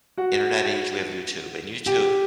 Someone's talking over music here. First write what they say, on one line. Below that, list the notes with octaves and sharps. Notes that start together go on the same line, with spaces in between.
internet age, we have YouTube, and YouTube,
F#4 F#5
G4 G5